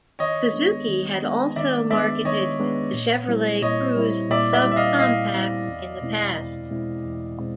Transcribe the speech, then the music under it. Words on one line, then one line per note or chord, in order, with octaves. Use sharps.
Suzuki had also marketed the Chevrolet Cruze subcompact in the past.
D#3 C#5 D#5
G#3 B3 D4
D#3
G#3 B3 D4
D#3 D5 E5
G#3 B3 D4 D5 E5
D#3 C#5 D#5
G#3 B3 D4
A#2
G3 C4 E4
A#2 C#5 D#5
G3 C4 E4
A#2 D5 E5
D5 E5
G3 C4 E4
E5
D#5 F5
A#2 D#5 F5
G3 C4 E4
E2
B2 G#3 C4 E4
E2
B2 G#3 C4 E4
E2
B2 G#3 C4